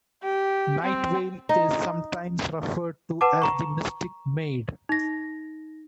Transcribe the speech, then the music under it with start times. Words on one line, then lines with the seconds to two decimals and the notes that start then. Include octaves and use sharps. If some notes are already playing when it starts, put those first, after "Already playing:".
Nightveil is sometimes referred to as the Mystic Maid.
0.23 G4
0.83 C4
1.49 D#4
3.21 B4 F#5 A5 D6
3.42 A#5 C#6
4.89 D#4 A#6